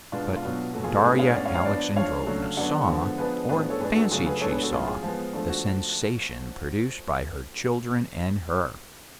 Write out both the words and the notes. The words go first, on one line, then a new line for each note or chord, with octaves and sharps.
But Darya Alexandrovna saw, or fancied she saw, the sensation produced by her children and her.
B2 G#3 B3 D4 F4
F4
B2 F#3 B3 D4
B2 F#3 A3 F#4
F4 G#4
F#4 A4
A2 G#3 B3 D4 G#4 B4
C#5 F5
A2 G#3 C#4 D5 F#5
C#5 F5
C#5 F5
F3 B3 D4 B4 D5
F3 G#3 D4 C#5 F5
C#3 F#3 A3 D4
D3 F#3 B3 D4 D5 F#5
D3 F3 G#3 B3
F3 B3 D4 G#4 B4
A2 F3 B3 D4 G#4 B4
A4 C#5
A2 G#3 D4 G#4 B4
F#4 A4
C#3 F#3 A3 D4 F4 G#4
G#4 B4
A2 G#3 B3 D4 A4 C#5
G#4 B4
F#4 A4
A2 F#3 C#4 F4 G#4
F4 G#4
F3 G#3 B3
F3 A3 D4
F#4